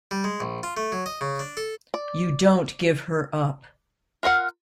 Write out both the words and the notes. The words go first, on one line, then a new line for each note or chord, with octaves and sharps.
You don't give her up.
G3
G#3
A#1
F4
A3
F#3
D#5
C#3
D4
A4
D5
F4 A#4 F5 F#5